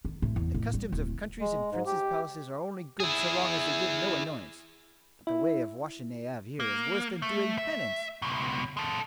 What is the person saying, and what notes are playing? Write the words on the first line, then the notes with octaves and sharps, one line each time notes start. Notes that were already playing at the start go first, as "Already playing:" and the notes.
The customs of countries and princes' palaces are only good so long as they give no annoyance; but the way of washing they have here is worse than doing penance.
D#3
A2
E2
A2
G3
D1
G#3
G#2
G4
E4 G#4
E4
A#3
A3
E5
C#2 B2
G#3 A4